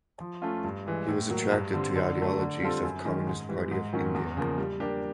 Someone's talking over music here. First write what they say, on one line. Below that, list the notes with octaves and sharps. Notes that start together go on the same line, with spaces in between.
He was attracted to ideologies of Communist Party of India.
F3
A3 C#4 F4
G2
E3 G#3
A2
F#3 A#3
G2
D3 G3 C4
D3
F#3 A3
D3
G3 C4 F4 A4
F#2
D#3 G#3 C#4
G#2
E3 G3
G#2
D#3 F#3 A#3 C#4
E2
C#3 F3 A#3
G3
A#3 D4 G4